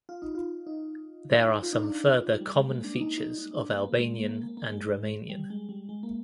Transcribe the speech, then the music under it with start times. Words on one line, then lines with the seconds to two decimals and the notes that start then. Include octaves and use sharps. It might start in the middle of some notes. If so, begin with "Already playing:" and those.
There are some further common features of Albanian and Romanian.
0.09 F4
0.22 D#4
0.35 F4
0.67 D#4
1.63 F4
1.73 D#4
1.83 D4
2.41 G3
2.55 G#3
2.69 A#3
2.84 D4
2.98 D#4
3.18 D#4
3.38 D#4
3.51 D#4
3.56 D4
3.71 A#3
3.86 A#3
3.99 G#3
4.14 A#3
4.29 A#3
4.43 A#3
4.57 A#3
4.72 G#3
5.30 G3
5.50 G#3
5.69 G3
5.89 G#3
6.03 A#3